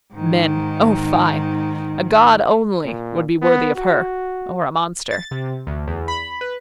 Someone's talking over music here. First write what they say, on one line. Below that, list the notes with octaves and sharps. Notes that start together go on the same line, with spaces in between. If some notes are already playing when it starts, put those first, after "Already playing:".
Men! oh, fie! a god only would be worthy of her, or a monster.
G#2 D#3
A#2
B3
F#4
A6
C3
D2
E2
B5
B4